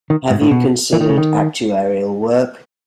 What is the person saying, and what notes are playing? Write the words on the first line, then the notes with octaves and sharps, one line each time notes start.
Have you considered actuarial work?
D#3
G#2
A2
B2
E3
D#3
C#3
D#3